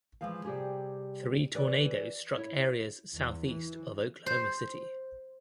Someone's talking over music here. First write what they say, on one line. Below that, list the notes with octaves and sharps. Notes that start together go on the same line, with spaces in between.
Three tornadoes struck areas southeast of Oklahoma City.
E3 F3 G#3 F5
C3 G3 G4 G#4
E3 G4 B4 D5
E4 C#5
E2
E3
C5